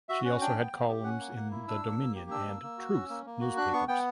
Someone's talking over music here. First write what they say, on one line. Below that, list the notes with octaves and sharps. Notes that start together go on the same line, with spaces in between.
She also had columns in "The Dominion" and "Truth" newspapers.
F#4 E5
C#4 F#5
D4 G5
B3
B3
G4
C#4 F#5
A#3
A#3
E4
D4 E6
A#3
A#3
G4
D4 E6
A#3
A#3
F#4
C#4
A#3
A#3
F#4
D4 F#6
B3 C#6
B3 G5